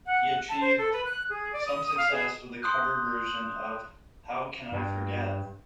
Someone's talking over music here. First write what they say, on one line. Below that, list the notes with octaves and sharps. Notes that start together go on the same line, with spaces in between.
He achieved some success with a cover version of How Can I Forget?
F#5
A5
C5
A4
B4
F#6
G#4
D5
D#6
D#6
F5
G#4
C6 D#6 F#6 G6
G2